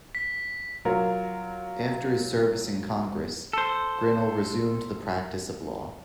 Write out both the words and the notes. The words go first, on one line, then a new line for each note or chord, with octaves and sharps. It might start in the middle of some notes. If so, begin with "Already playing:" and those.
After his service in Congress, Grinnell resumed the practice of law.
B6
F#3 F4 A#4
A4 C5